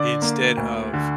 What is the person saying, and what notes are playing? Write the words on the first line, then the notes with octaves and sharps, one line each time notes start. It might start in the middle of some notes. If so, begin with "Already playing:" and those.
instead of,
Already playing: D3 D5
A#3
D2
D3